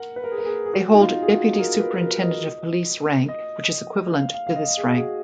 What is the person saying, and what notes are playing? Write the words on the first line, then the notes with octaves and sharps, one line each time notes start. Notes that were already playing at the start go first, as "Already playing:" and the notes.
They hold Deputy Superintendent of Police rank which is equivalent to this rank.
Already playing: A#4 F#5
B4
A#4
G#4
A#4
G#4
G#4
F#4
D#4
F4
G#4
F#4
G#4
A#4
A#4
B4
A#4
D#5
D#5
F5
F5
F5
D#5
G#4
F#4
G#4